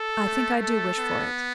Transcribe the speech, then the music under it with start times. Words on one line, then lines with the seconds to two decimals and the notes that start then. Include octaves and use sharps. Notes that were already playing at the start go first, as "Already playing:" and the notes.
"I think I do wish for it."
Already playing: A4
0.26 A3
0.63 A4
0.98 B3